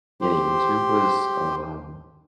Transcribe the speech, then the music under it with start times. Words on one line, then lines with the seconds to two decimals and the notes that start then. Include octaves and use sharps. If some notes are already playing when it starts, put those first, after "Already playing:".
getting into was, um,
0.21 G4 C5